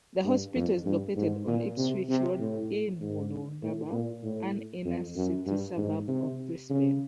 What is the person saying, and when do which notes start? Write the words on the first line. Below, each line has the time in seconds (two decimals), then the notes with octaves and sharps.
The hospital is located on Ipswich Road in Woolloongabba, an inner-city suburb of Brisbane.
0.25 G2
0.55 F2
0.85 G2
1.16 G#2
1.47 A#2
1.78 C3
2.09 C3
2.39 A2
3.01 G#2
3.63 A2
3.93 A#2
4.23 A2
4.85 F2
5.16 F#2
5.47 G2
5.77 G#2
6.08 C3
6.70 C#3